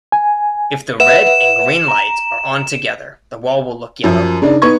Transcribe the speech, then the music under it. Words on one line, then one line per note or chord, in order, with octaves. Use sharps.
If the red and green lights are on together, the wall will look yellow.
G#5
B4 E5 F#5 E7
A#5
F#2 F3
C#3 D4 D#4
B3 D#4 B4 C#6 G#6